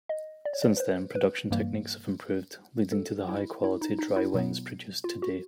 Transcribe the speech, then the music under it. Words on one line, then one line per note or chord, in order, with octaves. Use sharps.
Since then, production techniques have improved, leading to the high-quality dry wines produced today.
D#5
D5
C#5
D5
B4
C5
B4
G2 E3 G3 A#3
A4
E4
E4
D#4
D#4
E4
B2 F#3 B3
F4
F#4